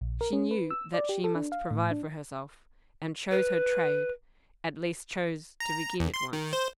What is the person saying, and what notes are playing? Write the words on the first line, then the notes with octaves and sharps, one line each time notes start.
She knew that she must provide for herself, and chose her trade; at least chose to begin it once.
A#1
A#4
C#4
B4
E6
D5
G4
A4
D4
F5
A2
D4
B4
A#5
E2
C6
D#3
C5